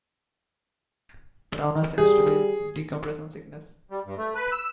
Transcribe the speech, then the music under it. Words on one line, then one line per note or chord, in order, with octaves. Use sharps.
Taravana seems to be decompression sickness.
G3 G#4
G3
G2
A3
B4
E6